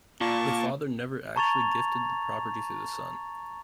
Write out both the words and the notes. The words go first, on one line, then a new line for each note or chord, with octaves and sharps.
The father never actually gifted the property to the son.
A#2 F4 D5 A5 C#6
A5 A#5 C#6 G#6 A6 F7